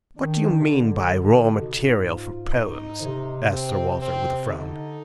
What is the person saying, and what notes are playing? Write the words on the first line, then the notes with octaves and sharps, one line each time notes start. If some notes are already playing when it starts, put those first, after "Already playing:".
"What do you mean by raw material for poems?" asked Sir Walter, with a frown.
D#3 D4
C3
D3
D#4
B2
G#2
F4
D#4
D3
C3
C4
C4
D3 D#4